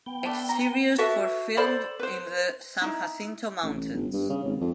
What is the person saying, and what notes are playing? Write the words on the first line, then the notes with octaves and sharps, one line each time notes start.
Exteriors were filmed in the San Jacinto Mountains.
B3 G5
A3 D4
F#4 A#5
F#4 A4 B4 E5
A4 C5 D5 B5
B4 C5
D#4 E4
A1
G1
G2
C#3
G#1
F2